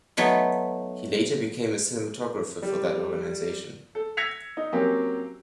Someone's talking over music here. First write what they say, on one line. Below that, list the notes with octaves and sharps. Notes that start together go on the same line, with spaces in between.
He later became a cinematographer for that organization.
F#3 A3 B3 D#4
G3
A4
E6 G#6 A#6 B6 C#7 F7
D#4
F#3 A#3 C4 C#4 G4